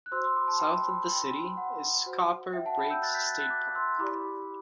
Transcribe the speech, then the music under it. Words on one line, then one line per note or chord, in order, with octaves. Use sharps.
South of the city is Copper Breaks State Park.
F#6
F#4 C5 C6 E6
C6 E6
B5 D6
A5 C6
G5 B5
G5 B5
G5 B5
F#5
F#4 C5
E5 G5
F#5 A5
G5 B5
E6 G6
F#6 A6
G6 B6
F#6 A6
F#6 A6
D6 F#6
C6 E6
E4 G4 D5 B5 D6